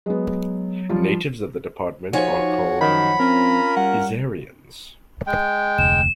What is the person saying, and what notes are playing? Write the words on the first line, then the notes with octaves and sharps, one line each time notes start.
Natives of the department are called "Isariens".
F#3 G#3 B3
F3 G3 F4
F3 D#4 F#4 C#5 G#5
F#2 D#3 F#5 B5
C4 C#4 F4 A#4
G3 F#5
G#3 G5
F1 D2 E7